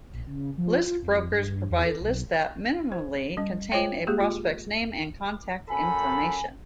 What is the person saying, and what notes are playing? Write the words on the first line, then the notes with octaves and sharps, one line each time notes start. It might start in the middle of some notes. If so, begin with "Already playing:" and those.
List brokers provide lists that, minimally, contain a prospect's name and contact information.
A#1
C#3
F3
F4
F2
G2
E2
A4
B1
C5
G3 C#4
F4 C5 C#5 G5
G#3 A#3 G4 G#4
F4
F#2 A4 G#5 B5